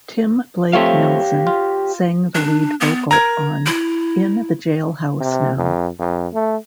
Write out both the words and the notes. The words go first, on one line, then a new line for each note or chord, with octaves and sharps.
Tim Blake Nelson sang the lead vocal on "In the Jailhouse Now".
F3 A3 C4 G4 C#5 F5
F4
D4
B3
A#4 A#5 G#6
E4
C3
F2
F2
A3